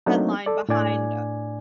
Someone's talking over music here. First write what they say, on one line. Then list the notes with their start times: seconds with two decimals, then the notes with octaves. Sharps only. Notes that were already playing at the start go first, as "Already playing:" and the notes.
headline behind
0.06 F#3 A3 A#3 C4 D4 D#4
0.46 A4 D5
0.69 A2 D4 D5 G#5